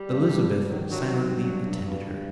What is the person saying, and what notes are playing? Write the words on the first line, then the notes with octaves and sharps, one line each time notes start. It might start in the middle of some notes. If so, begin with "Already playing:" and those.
Elizabeth silently attended her.
Already playing: G3
G2
G2
G2
D#3 F#3
G2 F#3
F#3
G2
F#3
G2
G2
G2